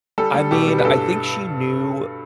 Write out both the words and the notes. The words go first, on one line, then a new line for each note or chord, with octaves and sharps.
I mean, I think she knew
G3 A4
G3
B2 G4
G3
B4
G2 A4